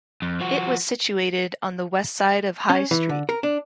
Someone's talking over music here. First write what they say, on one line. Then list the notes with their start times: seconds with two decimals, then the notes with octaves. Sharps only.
It was situated on the west side of High Street.
0.22 F2
0.40 F3 F#4
2.70 C#4
2.91 E3
3.09 D3
3.29 A#4
3.43 D4